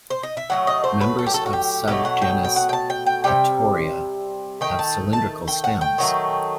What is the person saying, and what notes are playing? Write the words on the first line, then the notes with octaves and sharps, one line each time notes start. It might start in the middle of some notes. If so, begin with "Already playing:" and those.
Members of subgenus "Hatiora" have cylindrical stems.
C5
D#5
E5
A2 F#3 A3 F#5
D#5
C5
B4
A4
G4
A4
F#4
G4
B2 F#3 A3 G4
F#5
G5
G5
F#5
G5
A5
G5
G5
C3 D#3 G3 G5
D#3 A3 G5
A5
A5
G5
F#5
G5
D#3 F#3 A3